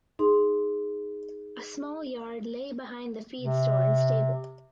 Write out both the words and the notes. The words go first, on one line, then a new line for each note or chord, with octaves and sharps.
A small yard lay behind the feed store and stable.
D#4 G#4 C6
C3